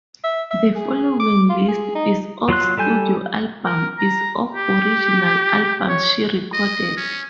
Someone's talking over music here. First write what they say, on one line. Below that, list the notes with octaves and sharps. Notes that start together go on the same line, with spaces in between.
The following list is of studio albums is of original albums she recorded.
E5
E5
G#4
D6
F4
G#4
D#4
F#3 F4 C6 F#6
G3 A4 G#5 G6
A#4
A#5
G4
C#5
D#5
C#4